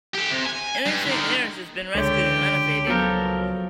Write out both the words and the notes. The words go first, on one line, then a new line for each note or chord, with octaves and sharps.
In recent years it has been rescued and renovated.
G4 A4
C3
G#5
G2
D3 D#3
C#2 D3 G4 C#5
F3 F#3 B3 A4 A#4